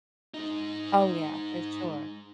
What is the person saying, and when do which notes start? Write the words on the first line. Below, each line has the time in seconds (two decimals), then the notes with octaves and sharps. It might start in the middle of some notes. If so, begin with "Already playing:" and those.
Oh yeah, for sure.
0.34 G#3 D#4